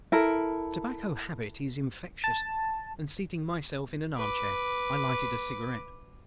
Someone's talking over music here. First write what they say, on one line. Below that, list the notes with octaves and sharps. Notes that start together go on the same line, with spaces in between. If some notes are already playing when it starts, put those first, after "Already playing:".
The tobacco habit is infectious, and, seating myself in an arm-chair, I lighted a cigarette.
E4 A4 A#4
A5
B4 D6